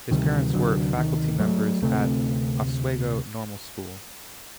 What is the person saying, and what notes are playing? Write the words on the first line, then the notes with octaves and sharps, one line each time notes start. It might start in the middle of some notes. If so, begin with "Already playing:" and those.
His parents were faculty members at Oswego Normal School.
D2 C3 D#3 G3
D3 F#3
D#3
F#3 A3
D2 C3 A3 C4